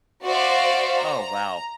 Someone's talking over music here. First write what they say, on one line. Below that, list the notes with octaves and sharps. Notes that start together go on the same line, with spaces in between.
Oh, wow.
F#4 C5 D5 E5 F5
A#5